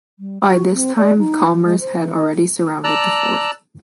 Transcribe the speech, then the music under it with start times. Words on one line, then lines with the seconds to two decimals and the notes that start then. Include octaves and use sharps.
By this time, Chalmers had already surrounded the fort.
0.19 G3
0.47 F#4
0.74 C4
0.98 D5
1.19 D#4
1.53 F3
1.65 G#3
1.81 C5
1.99 E3
2.16 D#5
2.84 D5 A5 A#5 E6 F#6